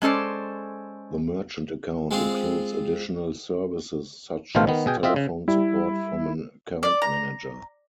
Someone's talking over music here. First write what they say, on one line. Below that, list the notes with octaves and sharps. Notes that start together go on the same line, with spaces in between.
The merchant account includes additional services such as telephone support from an account manager.
G#3 C#4 A4 C5 D5
G#3 C4 F4
A1 B2 D#3 A3 C5 F5
D#3 B3
B2 G#4 G5
C4 F4 D#5 E5
C#3
G3 E4
D5
A#5